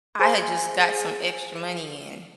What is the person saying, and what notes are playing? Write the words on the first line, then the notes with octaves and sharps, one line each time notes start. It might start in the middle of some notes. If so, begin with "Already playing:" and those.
I had just got some extra money in,
G#4 C5 G#5